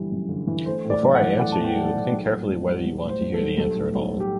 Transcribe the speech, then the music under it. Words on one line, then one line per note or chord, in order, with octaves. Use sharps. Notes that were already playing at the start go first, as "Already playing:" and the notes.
Before I answer you, think carefully whether you want to hear the answer at all.
Already playing: G1 F#2 E3 G3
F#2
G1
E3
A3 C5
A2
D5
B1
F#5
E3
A3 F#5
A5
A2
G5
B1
E3
B1
A2
B1
G3
B1
A2
C5
B1
A4
G3
B1 A4
A2
B1
G3
G4